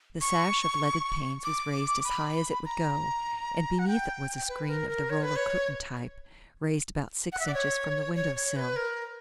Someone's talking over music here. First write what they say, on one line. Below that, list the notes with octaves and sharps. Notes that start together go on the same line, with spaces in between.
The sash of leaded panes was raised as high as it would go, and beneath it was a screen of the roller-curtain type, raised about six inches from the window sill.
C#6
D6
B5
A#5
F#5
G5
B4
A#4
A#4
C#5
B4
C#5
F#5
E5
D5
C#5
C#5
C#5
B4
A#4